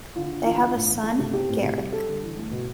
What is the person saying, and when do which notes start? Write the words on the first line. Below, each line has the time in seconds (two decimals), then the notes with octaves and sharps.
They have a son Garrick.
0.16 D3 F4
0.31 D3
0.45 E3 F4
0.61 D4
0.74 A2
0.90 E3
1.04 A3
1.19 C3
1.33 C4 G4
1.48 A2
1.63 C3
1.78 G3
1.92 G3 A4
2.07 D3
2.23 E3
2.36 A3
2.51 B2